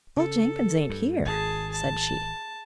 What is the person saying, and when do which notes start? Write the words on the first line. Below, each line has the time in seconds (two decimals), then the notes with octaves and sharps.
"Old Jenkins ain't here," said she.
0.17 C#3 A4
0.90 G2
1.26 G#1 G#4 A5
1.72 A5